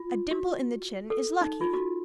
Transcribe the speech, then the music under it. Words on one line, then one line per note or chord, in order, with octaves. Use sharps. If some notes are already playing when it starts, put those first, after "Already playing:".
A dimple in the chin is lucky.
Already playing: F4
F#4
A4
D#4
F4
F#4